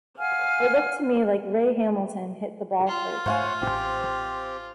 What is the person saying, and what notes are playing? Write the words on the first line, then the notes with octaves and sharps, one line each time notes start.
It looked to me like Ray Hamilton hit the ball first.
F5 F#5 G#5 F6
F4
G#2 A3 C5 C#5 F5 F#5 G#5
A1 C4 G4